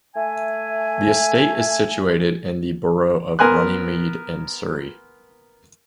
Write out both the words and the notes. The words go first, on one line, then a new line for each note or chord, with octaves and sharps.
The estate is situated in the Borough of Runnymede in Surrey.
A3 E5 G#5
B3 A#4 G#5 C6 F#6